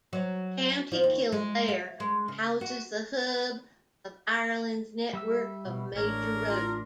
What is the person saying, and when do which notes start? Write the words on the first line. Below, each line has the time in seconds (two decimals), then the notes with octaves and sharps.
County Kildare houses the hub of Ireland's network of major roads.
0.13 F#3
0.92 F3
1.04 D#2
1.32 G#3
1.68 F5
2.00 G#3
2.28 C#3
2.61 F#4
5.13 G3 E5 E6
5.66 B2
5.97 A1 D4 A#4 C#5
6.50 F4